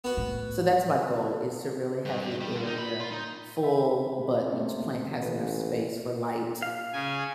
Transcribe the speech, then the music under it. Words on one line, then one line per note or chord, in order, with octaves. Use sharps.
so that's my goal is to really have the area full, but each plant has enough space for light,
B3 F#4
A2
G2
G2
G3
D3
D#4
B5
F4
D#4
E5 B5
C3
A3 A#3 C#4
A1 B4
F5
C#3 G#5